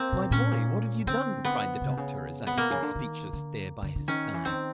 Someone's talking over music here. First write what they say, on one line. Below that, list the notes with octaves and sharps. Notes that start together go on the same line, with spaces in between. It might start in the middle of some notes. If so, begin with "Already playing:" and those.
"My boy, what have you done?" cried the doctor, as I stood speechless there by his side.
Already playing: A#3 C4
B2
A#2 C#4
A2
A#2
D3 C4
B3
C#3
C3
C#3
B3
C3
B2 A#3
C#3
D3
D#3
D3
D3
D3
D#3 C#4
E3
D#3 C4